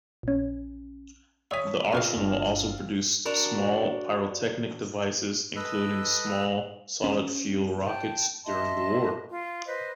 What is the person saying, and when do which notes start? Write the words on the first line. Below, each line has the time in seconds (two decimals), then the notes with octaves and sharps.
The arsenal also produced small pyrotechnic devices including small solid-fuel rockets during the war.
0.23 A#1 C#4
1.51 C#5 E5 G#5 D#6 B6
1.93 A#1 C#4 F4 A#4 F5 F6
2.16 G1 D4
3.25 D4 F#4 A#4
5.56 A4 B4 D#5 E6
7.04 C#4
7.85 G5 A5
8.44 D#5 E5 A5 C6
9.29 F4
9.66 B4 C5 D#5